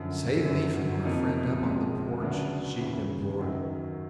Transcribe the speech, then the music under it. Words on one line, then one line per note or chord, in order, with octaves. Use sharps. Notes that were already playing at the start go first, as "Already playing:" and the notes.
"Save me from our friend up on the porch," she implored.
Already playing: F#2 D3 F3
F#2 D3 F#3 B3
F2 C3 F3 A#3 D#4
C#2 C3 F3 G#3
D2 C#3 F#3 B3 D4
D#2 C#3 E3
F#2 D#3 F#3